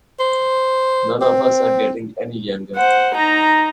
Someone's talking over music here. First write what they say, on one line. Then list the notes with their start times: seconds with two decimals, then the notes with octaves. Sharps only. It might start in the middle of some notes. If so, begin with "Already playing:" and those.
None of us are getting any younger.
0.19 C5
1.22 C4
2.76 C5 F#5
3.14 D#4 A#5